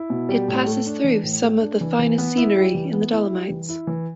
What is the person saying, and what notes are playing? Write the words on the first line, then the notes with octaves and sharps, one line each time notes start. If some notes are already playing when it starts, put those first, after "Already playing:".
It passes through some of the finest scenery in the Dolomites.
Already playing: E4
B2
G3
A2
A3
D4
E3
A2
A3
D4
E3
E3
B3
E4
G3
E3
B3
E4
G3
E3
E4
E3